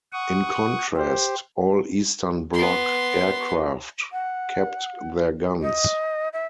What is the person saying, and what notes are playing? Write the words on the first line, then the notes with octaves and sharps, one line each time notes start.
In contrast, all Eastern Bloc aircraft kept their guns.
F#5 C#6 D#6
G4 C5
B3 C6
F#5
D#5
E5